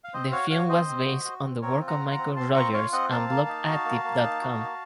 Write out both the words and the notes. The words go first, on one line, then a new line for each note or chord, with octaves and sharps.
The film was based on the work of Michael Rogers and BlogActive dot com.
F5
C4 C5 D#5
F#4 C#5 F5
F#4 C#5 F5
C4 C5 D#5
C4
F#4
F#4
C4
C4 A#4 C#5
F4
F#5 A#5
F4
F#5 A#5
C4
C4 A5 C6
F4 A#5 C#6
F4 C#5 F5
C4 D#5 F#5
A#3 F5 A5
A#3
D#4
F#4
A#3
A#3
D#4
F#4
A#3